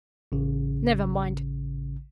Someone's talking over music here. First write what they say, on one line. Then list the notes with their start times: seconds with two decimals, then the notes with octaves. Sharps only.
Never mind.
0.32 A1 C#3